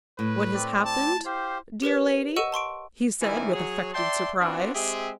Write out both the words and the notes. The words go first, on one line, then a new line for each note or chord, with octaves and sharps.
"What has happened, dear lady?" he said, with affected surprise.
A2 B4
C4 D5
A5
G4 C5 F5
G4 A#4 B4 C#5
D#5 F#5 C#6 E6 D#7 E7
A5 C6 C#6 D7
F#2 D#3 E3 E4 D5 G#5
F#3 G#4 C#5
D5 E5 G5 A5 C6
B3 C4 D4 F4 F#4
G#3 C4 G4 G#4 E5